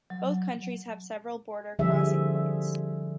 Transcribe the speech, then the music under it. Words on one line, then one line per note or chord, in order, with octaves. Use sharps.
Both countries have several border crossing points.
F#3
D3 F3 G3 G#4 E5